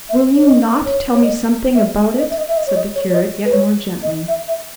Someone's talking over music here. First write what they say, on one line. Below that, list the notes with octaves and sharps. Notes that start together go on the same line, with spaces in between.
"Will you not tell me something about it?" said the curate, yet more gently.
E5
C#5
D#5
C#5
C#5
D#5
E5
D#5
E5
D#5
E5
D#5
C#5
D#5
C#5
C#5
D#5
B4
C#5
D#5
E5
E5